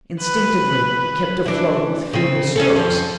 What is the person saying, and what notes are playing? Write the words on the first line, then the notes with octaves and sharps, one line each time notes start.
Instinctively he kept afloat with feeble strokes.
B4
E3 D4
C#3 C4
C#4 G#4 A4
F2 F3